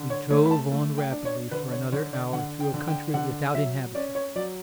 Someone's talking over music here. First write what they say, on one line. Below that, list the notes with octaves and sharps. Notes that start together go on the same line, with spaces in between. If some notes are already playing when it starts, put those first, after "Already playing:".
We drove on rapidly for another hour through a country without inhabitants.
Already playing: D3
C#5
A3 C#5
B5
A5
A3
G5
D4
C#5
D3 B4
C#5
D3 C#5
D5
D3 F#5
G5
D3
G5
D3 F#5
F#3 E5
C#4 D5
C#5
F#3 D5